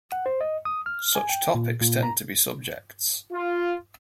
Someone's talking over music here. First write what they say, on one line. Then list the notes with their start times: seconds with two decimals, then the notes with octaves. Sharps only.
Such topics tend to be subjects.
0.12 F#5
0.26 C5
0.41 D#5
0.65 D#6
0.86 F6
1.15 G#5
1.29 G5
1.55 A#2
1.81 A#2
2.03 A#5
3.32 F4